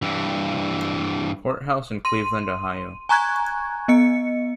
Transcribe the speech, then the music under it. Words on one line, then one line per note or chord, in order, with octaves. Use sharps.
Courthouse in Cleveland, Ohio.
G2 E3
C6 D#7
G#5 A#5 C#6 F#6 G#6
B3 D#5 C#7